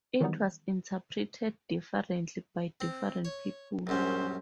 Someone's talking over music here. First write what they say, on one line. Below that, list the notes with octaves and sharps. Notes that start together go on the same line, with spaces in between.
It was interpreted differently by different people.
D#3 E3 F#3 G3 B3 D#4
C4
C#5
A#1 F#2 G3 C#4 C5